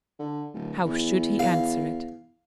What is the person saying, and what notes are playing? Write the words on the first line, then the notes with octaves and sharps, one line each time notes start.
How should he answer it?
D3
D1
E2
F5